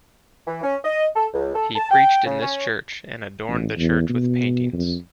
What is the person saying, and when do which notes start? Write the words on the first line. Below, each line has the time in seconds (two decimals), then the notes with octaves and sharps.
He preached in this Church and adorned the Church with paintings.
0.47 E3
0.63 C#4
0.85 D#5
1.16 A4
1.34 C#2
1.55 A4
1.76 A5
1.91 G5
2.26 C#3
2.42 C#4
3.48 A1
3.78 E2
4.10 B2
4.73 F2